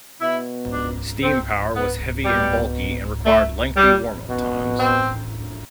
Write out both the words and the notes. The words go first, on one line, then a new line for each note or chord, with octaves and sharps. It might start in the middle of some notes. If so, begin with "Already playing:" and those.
Steam power was heavy and bulky and required lengthy warmup times.
B2 E4
D4
C4
B3
B2 G3
A3
G3
B2
C4